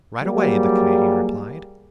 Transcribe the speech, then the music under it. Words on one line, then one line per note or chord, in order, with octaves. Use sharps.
"Right away!" the Canadian replied.
F#3 G3 A#3 G#4